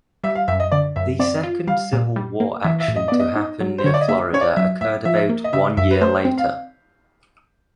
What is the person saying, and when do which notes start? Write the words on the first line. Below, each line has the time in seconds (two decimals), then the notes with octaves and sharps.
The second Civil War action to happen near Florida occurred about one year later.
0.24 G3 E5
0.35 F5
0.48 F#2 E5
0.60 D#5
0.72 D3 D5
0.96 F#2 E5
1.19 C4 D5
1.43 F4
1.67 G3 F5
1.93 A#2
2.16 G3
2.40 A#3
2.64 E3 E5
2.80 E5
2.88 A2
2.96 D#5
3.08 B3 D5
3.20 D#5
3.36 D#4
3.61 F#3
3.78 C5
3.84 D3 C#5
3.94 D5
4.01 D#5
4.08 A#3 E5
4.33 C#4 C#5
4.41 D5
4.57 F#3 E5
4.81 A2 E5
5.05 F3 E5
5.29 A#3
5.44 D#5
5.53 C#3 E5
5.77 F#2 E5
5.91 B4
6.01 A3 C5
6.25 C4
6.38 F5